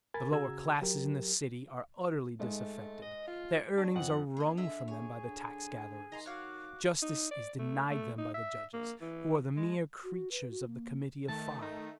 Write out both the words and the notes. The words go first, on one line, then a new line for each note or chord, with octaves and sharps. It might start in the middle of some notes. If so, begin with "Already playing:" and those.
The lower classes in the city are utterly disaffected; their earnings are wrung from them by the tax gatherers. Justice is denied them by the judges, who are the mere creatures of the committee of five.
A#4 G#5 B5 G#6 A6
C#3 F#4 G#4 A#5 E6 G#6
F#3 G4 A#4
G#2 G#3 A3
D#5
F4
D4
F2 F#5
A#1 G#4 D#5
D3 G#4 D#5 E5
G#4 C#5
D3
D#3 D#5 A#5 C6
F#4 C#5 F5 F#5 D6 F#6
D#4
D5
A3
A3
D#4
E5
A#3
E3
G#3
F#4
B4
F#4
A#3
D#3 A3 A5
D#4